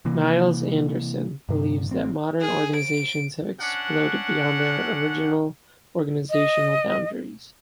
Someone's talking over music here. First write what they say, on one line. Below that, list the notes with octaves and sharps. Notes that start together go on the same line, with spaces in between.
Niels Andersen believes that modern organizations have exploded beyond their original organizational boundaries.
C3 E3 A#3
G2 C3
A1 C4
G#4
D7
C#4 D4 F#5
D#5